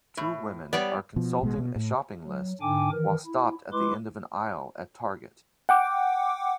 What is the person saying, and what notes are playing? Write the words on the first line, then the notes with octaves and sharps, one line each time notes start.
Two women are consulting a shopping list while stopped at the end of an aisle at Target.
A2
G3 B3 C#5 D5
B2 F3
A1 B2 G#3
B2
A2
F#3
G#2 D3 D4 G5 G#5 D6
D#3 E3 A#4
E4
G#3 E4 B4 C6 D6
F#5 G5 D6